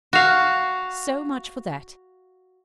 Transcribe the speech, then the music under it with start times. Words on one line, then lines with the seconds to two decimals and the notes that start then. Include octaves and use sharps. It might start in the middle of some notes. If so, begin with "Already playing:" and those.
So much for that.
0.13 F#4 F5